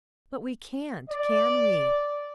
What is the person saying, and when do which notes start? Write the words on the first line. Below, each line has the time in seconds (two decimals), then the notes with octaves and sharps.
"But we can't,--can we?"
1.09 D5